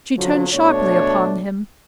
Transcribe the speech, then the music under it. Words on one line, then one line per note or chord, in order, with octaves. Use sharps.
She turned sharply upon him.
D3 F3 F#3
B2 A3 D4 C#5